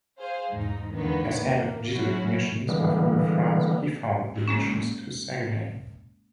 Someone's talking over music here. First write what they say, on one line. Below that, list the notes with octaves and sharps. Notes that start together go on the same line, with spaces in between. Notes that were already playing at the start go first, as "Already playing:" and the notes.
As head of Jesuit missions of New France, he founded the missions to Saguenay.
G#4 C5 F5
E2 G#2 D#4
E2 G#2 D3 D#3 A#3 B3
A#3
F#3 C#4 E4 F#4
D3 E3 G3 G#3 A#3 B3
G#3 A#3 C#4